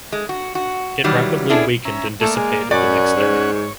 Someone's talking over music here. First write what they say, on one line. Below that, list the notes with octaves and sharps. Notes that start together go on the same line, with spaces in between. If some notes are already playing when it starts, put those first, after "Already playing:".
It rapidly weakened and dissipated the next day.
G#3
F#4
F#4
D#3 E3 F#3 G3
B3 C#4 D4 E4 G#4 A4
C#4 E5 A#5
A3 A#3 D5
G#3
F#2 C#4 C#5 D5 F#5
G#2
C#5